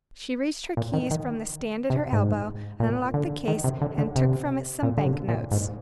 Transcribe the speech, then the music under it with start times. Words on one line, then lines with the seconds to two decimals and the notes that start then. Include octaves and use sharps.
She reached her keys from the stand at her elbow, unlocked the case, and took from it some bank-notes.
0.77 A#2
0.94 D#3
1.11 D#3
1.90 C3
2.12 G#2
2.80 A#2
3.14 D3
3.48 D#3
3.64 C3
3.82 D3
3.98 D3
4.16 C3
4.83 A#2
4.97 D3
5.06 C3
5.28 A#2
5.51 G#2